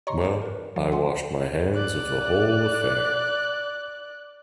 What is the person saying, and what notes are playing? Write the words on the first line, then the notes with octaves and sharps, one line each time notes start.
Well, I wash my hands of the whole affair!
G4 C#5 D#5 A#5 C6 C#6
A#4 B4
F3
F#5 G#5 C6
D5 F#6